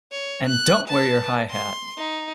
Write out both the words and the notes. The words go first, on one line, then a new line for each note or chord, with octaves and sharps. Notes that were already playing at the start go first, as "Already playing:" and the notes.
And don't wear your high hat!
C#5
F#6
B4 A5
C6
D#4